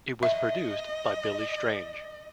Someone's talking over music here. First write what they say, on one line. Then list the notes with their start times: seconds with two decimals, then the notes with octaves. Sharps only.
It was produced by Billy Strange.
0.23 D#5 E5